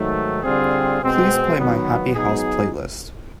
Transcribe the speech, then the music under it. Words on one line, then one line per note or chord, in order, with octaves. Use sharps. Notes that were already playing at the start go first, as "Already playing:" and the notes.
Please play my Happy House playlist.
Already playing: G#2 D#3 F#3 A3
D3 G3 C4 F4 G#4
B2 G#3 C4
D#3 F#3 B3 D#4
F#3 B3 D#4 G#4